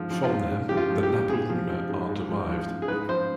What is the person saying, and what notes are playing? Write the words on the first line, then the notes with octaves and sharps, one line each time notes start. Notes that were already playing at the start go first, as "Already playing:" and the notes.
From them the Napo-runa are derived.
Already playing: G#2 F3
F3
F4
G#2
G#2
F3 G4
F4
F3
G4
G#2
G#2 G#4
F3
F3
G#2
G#2
F3
F3
G#2
G#4
G#2 B4
F3 C5